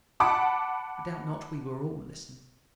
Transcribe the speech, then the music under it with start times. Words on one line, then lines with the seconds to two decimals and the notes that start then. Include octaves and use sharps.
I doubt not we were all listening.
0.20 F#5 A5 B5 D6